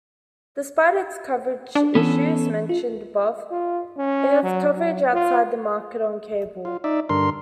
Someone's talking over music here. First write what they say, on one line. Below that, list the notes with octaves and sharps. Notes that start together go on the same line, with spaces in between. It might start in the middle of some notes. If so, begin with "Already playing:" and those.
Despite its coverage issues mentioned above, it has coverage outside the market on cable.
D4
E3 B3 C#4 A4
F4
F4
C#4
F#3
F#3
F4
F4
D#4 D5 E5
G2 D3 A#4 C6